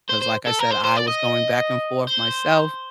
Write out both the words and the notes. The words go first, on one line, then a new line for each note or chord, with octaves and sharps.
'cause like I said, I was going back and forth myself,
C5
C5
A4
A#4
C5
C5
D5
D#5
C5